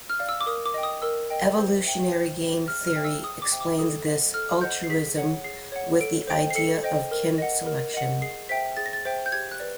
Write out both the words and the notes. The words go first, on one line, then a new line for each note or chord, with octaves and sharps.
Evolutionary game theory explains this altruism with the idea of kin selection.
F6
D5 F5
E6
D6
A#4 D#6
D6
D#5 G5
D#6
A#4 E6
D#5 G5
C5
E5 G5
C5
E5 G5
G#4 F6
F6
C5 E5 G5
E6
G#4 D#6
D6
C5 E5 G5
D6
A4 D#6
C5 D#5 F#5
A4 F6
C5 D#5 F#5 G6
C7
G#4 B6
C#5 F#5
G#4 C7
C#5 F#5
A4 D7
C5 D#5 G5
C7
A4 C#7
C5 D#5 G5
A#4
D#5 F#5
A#4
D#5 F#5
G#4 C7
C5 E5 G5 B6
G#4 A6
A#6
A6
C5 E5 G5
G6
G4 G#6
F#6
B4 D5